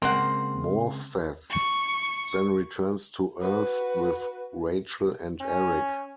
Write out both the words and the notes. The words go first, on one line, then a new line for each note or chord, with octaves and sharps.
Morpeth then returns to Earth with Rachel and Eric.
C#3 G#3 A#3 C4 F#5 C6
C#6
F#4 B4
C#4